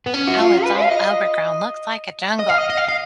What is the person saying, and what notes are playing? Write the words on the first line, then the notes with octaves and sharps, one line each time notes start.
"Oh, it's all overgrown. Looks like a jungle."
B3
C#4
F#4
F4
B4
F5
D#5
D#5
F5
D#5
D#5
F5
F5